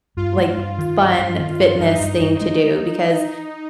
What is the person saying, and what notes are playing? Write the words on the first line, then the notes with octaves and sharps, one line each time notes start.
like, f fun, fitness thing to do, because
G2 F4
G#3
G2
D#3
G2
G2
D#3
G2
G2 D#4
G2
G2
G#3